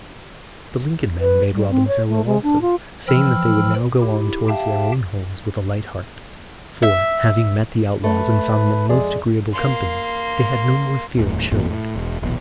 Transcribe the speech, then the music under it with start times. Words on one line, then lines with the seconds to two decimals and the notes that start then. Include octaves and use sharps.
The Lincoln men bade Robin farewell also, saying that they would now go on towards their own homes with a light heart: for, having met the outlaws and found them most agreeable company, they had no more fear of Sherwood.
1.20 B4
1.53 G3
1.70 C4
1.87 C#5
2.09 A3
2.25 G#3
2.43 D4
2.61 F4
3.08 E3 F3 G5 B5 E6 F6
4.02 E4 G4
4.48 G4 E5 F5 G5 A5
6.82 E5
8.04 A3 B4
8.89 F2 G#3 G#4 D5
9.52 A#3 C6
11.18 D#1 A2
11.51 G#1 E2 A#2
11.70 A2
11.96 E1
12.22 D#1 A#1 B2